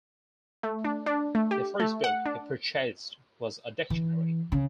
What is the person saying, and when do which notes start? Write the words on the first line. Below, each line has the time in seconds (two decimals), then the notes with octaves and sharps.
The first book he purchased was a dictionary.
0.63 A3
0.84 D4
1.06 D4
1.35 A3
1.51 G4
1.80 A3
2.04 F#5
2.26 D4
3.90 E3
4.52 C#3